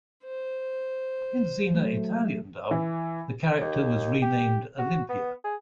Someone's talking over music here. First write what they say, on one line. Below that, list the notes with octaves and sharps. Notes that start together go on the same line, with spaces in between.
In Xena Italian dub, the character was renamed "Olimpia".
C5
F#3 A3
E3
D#2
G4
F#4
B3
G#4